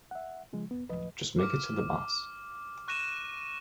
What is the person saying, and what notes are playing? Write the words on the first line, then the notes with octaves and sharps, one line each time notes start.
Just make it to the Meuse.
E5 F#5
C#3 F3 G#3
B3
D1 F3 B4 D#5
D6 F6
C#6 F#6 A#6 D#7 E7